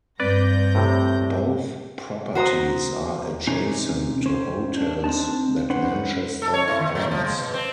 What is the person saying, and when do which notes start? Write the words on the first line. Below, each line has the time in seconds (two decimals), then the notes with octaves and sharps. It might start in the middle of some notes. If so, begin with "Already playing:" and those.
Both properties are adjacent to hotels that Manchester owns.
0.20 G2 C4 B4 D5 G6 A#6
0.75 A2 C3
2.35 F#4 C5 A#5 D#6
3.47 C3 E3 C#4 D#4 G#5 A#5
4.26 C#4 C5
4.77 D4
5.04 C4 D4 D#4 A5
5.70 C#4 D#4 B4 C5 F#5
6.42 A4
6.54 C#5
6.68 E4
6.79 D#2
6.95 A2
7.11 F3
7.24 G#3
7.37 B2
7.54 C4